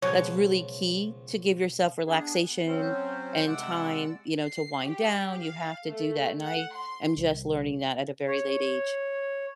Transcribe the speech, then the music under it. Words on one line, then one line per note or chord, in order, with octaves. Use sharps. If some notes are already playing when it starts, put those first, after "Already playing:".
That's really key to give yourself relaxation and time, you know, to wind down, you have to do that, and I am just learning that at a very late age.
C#2 B2 F3 F#3 C#5
B3 D4 G#4
B3
F#3 C4 C#4 C5
C3 G#3 D5 F#5 E6
C7
G4
F5
A3
F#5
C6
C2
C#5